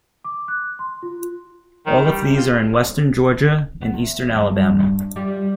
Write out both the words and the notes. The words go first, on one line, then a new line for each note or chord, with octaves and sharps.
All of these are in western Georgia and eastern Alabama.
D6
F#6
C6
F4
D#3
G3
C3
F4
B3
E2
E2 G2
G3 F4 G4